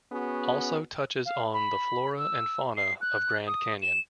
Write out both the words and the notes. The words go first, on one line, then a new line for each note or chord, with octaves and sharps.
Also touches on the flora and fauna of Grand Canyon.
B3 C#4 F#4 G#4
F5
B5
E6
C7
F#6
D#6
E7